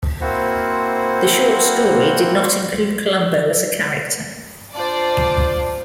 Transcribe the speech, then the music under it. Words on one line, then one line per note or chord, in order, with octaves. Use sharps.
The short story did not include Columbo as a character.
A#3 C4 E4 F#4 C5 F#5
D4 F4 C5 D5